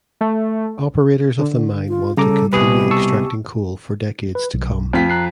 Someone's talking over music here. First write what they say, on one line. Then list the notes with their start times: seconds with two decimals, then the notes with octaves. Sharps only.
Operators of the mine want to continue extracting coal for decades to come.
0.21 A3
1.39 D3
1.88 F4
2.17 C#3 G3 A4 A#5 D6
2.53 C2 B2 G4 G#4 B4
2.91 A5 C#6 E6
4.35 B4
4.54 B1
4.93 F2 A3 C4 F4 B6
5.10 A#5 F#6 C7